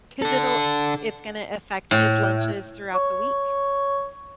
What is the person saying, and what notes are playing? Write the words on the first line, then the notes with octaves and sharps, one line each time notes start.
'Cause it'll it's gonna affect his lunches throughout the week.
D4 A4
A2
C#5